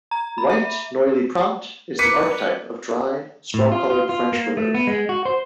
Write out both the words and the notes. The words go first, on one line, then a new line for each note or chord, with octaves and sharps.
"White" Noilly Prat is the archetype of dry, straw-coloured French vermouth.
A#5
B5
E5
A#4 B4 D6 B6 C#7 D#7
A2
F4
F4
F4
A#3
A3
B3
G#3
F#4
C5